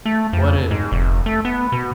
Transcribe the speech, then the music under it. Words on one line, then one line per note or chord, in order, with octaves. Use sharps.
What did
A3
F2
G#2
F1
A3
B3
B2